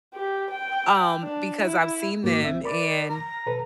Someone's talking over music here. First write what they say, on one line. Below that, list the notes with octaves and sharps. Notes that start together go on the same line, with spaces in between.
um, because I've seen them, and
G4
G5
D4
E4
G#2 A#3 F#4 D6
C2 C4 E5
A#4 D5 B5 D6
A#5
B2 A4 B4